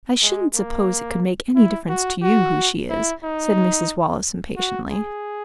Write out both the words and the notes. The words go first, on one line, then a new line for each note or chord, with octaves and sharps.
"I shouldn't suppose it could make any difference to you who she is," said Mrs. Wallace impatiently.
G#3
A#3
E4
F#4
F#4
E4
D#4
F#4
G#4